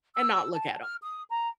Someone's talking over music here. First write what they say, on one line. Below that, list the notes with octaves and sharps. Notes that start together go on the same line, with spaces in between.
and not look at 'em.
E6
A5
F6
D#6
A#5